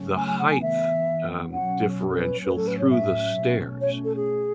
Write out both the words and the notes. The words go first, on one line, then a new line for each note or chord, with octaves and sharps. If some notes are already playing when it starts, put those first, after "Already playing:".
the heighth, um, differential through the stairs,
Already playing: C#3 F#3 A3 C#4
G#5
G#5
F#5
G#5
E3 B3 E5
B2 F#3 C#4 F#5
A4
B4
A2 F#3 A3 C#4 B4
A4
B4
C#5
E5
B2 A3 C#4
C#5
A4
G#4